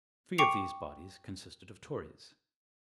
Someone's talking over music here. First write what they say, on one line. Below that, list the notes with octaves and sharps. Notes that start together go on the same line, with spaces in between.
Three of these bodies consisted of Tories.
G5 C#6 D6 C7 C#7 F7